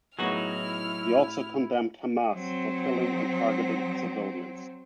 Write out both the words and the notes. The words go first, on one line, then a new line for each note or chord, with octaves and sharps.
He also condemned Hamas for killing and targeting civilians.
A2 F#3 B3 D#4 E4 F#4 G#4 F6
F#3 C4